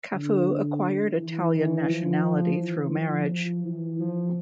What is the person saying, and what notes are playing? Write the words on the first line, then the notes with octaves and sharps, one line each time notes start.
Cafu acquired Italian nationality through marriage.
D3
E3
E3
F3
E3
F3
F3
E3
F3